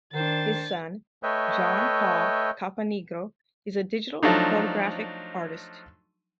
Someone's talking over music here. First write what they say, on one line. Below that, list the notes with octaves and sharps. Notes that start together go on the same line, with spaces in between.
His son, John Paul Caponigro, is a digital photographic artist.
D#3 D4 C5 A6
A3 B4 C#5 D#5 E5 G5
F3 F#3 A3 D4 D#4